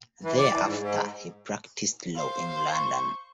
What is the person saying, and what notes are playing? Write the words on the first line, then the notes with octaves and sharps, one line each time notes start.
Thereafter he practiced law in London.
E3
D5
E3
G#2
G#2
C5 F5
C#6